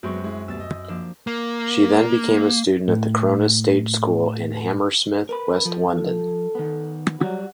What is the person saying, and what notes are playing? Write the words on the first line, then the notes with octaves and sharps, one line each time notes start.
She then became a student at the Corona Stage School in Hammersmith, West London.
F#2 F#3 G#3 B3 C4 C#6
G#3 E4
D2 B2 G3 E6 A6
D#5
F3 A#3 D4
A#3
A2 A3
A#4 B4 B5
F3 A4
D#3 B3
F#3 G3 F#4